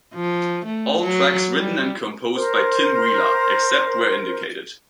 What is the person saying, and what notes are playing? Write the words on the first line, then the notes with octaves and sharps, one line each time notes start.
All tracks written and composed by Tim Wheeler; except where indicated.
F3
A3
F#3
G3
A#4 C5